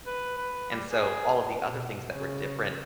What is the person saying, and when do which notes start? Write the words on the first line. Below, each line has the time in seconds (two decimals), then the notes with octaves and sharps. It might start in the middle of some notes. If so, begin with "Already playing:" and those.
and so all of the other things that were different
0.07 B4
0.37 B4
0.71 G3
0.91 G#4
1.65 B2
2.10 C#3